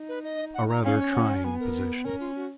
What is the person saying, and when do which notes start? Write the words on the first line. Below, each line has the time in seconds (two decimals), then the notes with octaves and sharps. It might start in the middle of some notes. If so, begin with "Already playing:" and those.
A rather trying position.
Already playing: D#4
0.09 B4
0.24 D#5
0.54 F#5
0.69 A#5
0.84 C#4 F5
0.99 C#5
1.14 F#5
1.44 B3 G#5
1.60 A#4
2.04 C#4 A#4
2.20 F4
2.36 F#4